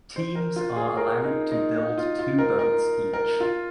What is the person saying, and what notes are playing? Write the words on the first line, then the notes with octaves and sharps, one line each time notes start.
Teams are allowed to build two boats each.
C5
A#4
F4
G#4
A#4
D#4
D#4
D#4
F4
F4
A#4
A#4
A#4
F4